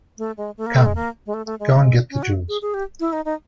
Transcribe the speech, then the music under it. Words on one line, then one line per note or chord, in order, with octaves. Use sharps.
Come, go and get the jewels.
A3
G#3
A3
A#3
A3
G#3
A#3
G#3
A3
A3
G#3
C#4
F#4
G#4
G#4
G4
E4
D#4
D#4